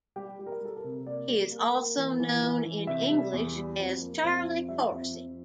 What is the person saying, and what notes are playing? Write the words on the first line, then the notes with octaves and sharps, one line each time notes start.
He is also known in English as "Charlie Corsey".
G3 G4
G3
A#4
G3 A4
A#4
C3
A#3 D5
G3
A#3
A#3
E3
E3
E3
E3
C3 E5
G3
E2
G3
F2
A#3
F2
F2
G3 E5
F2
F2